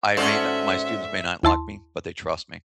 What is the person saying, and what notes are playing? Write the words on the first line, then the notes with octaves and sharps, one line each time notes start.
I may not my students may not like me, but they trust me.
G#2 C#4 F#4 A4 C5 D5 E5
D#2 E4 A5 C6